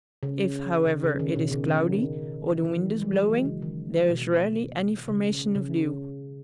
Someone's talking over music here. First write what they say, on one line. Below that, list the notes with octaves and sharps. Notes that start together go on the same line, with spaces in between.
If, however, it is cloudy or the wind is blowing there is rarely any formation of dew.
C#3
C#3
C#3
D#3
B2
C#3
D#3
E3
G#3
F#3
E3
C#3
D#3
B2
C#3
C#3